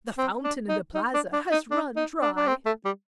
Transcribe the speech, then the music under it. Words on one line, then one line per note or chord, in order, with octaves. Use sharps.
The fountain in the plaza has run dry.
C4
D4
D#4
D#4
D4
D4
D#4
D4
D#4
D4
D4
C4
A3
G3